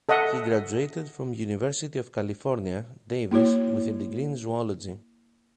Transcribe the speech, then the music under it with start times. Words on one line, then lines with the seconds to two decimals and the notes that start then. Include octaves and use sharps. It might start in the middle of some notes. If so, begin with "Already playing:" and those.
He graduated from University of California, Davis, with a degree in zoology.
0.09 A4 D#5 E5 F#5
3.31 A#3 E4 F#4 C#5